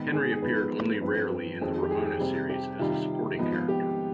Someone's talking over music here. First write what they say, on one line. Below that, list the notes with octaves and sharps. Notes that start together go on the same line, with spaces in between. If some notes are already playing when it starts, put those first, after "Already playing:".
Henry appeared only rarely in the Ramona series, as a supporting character.
Already playing: G#2 D#3 B3
G#4
G#4
G#2 F3 B3 B4
G2 F3 C4 B4
F2 D#3 G#3 C4
G4
G#4
C3 G3 C4
G4
C3 D#3 G3 F4
G#2 F3 B3 D#4
F4
G4